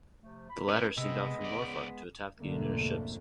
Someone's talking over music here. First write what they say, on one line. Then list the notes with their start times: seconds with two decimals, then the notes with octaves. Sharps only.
The latter steamed out from Norfolk to attack the Unionist ships.
0.23 C3 F3 A3
0.49 B5
0.68 C#4 A#4 B4
0.97 C3 G#3 B3 D#5 E6
1.41 C#2 D5
2.39 B1 F2 G#2 D3 A3 A#3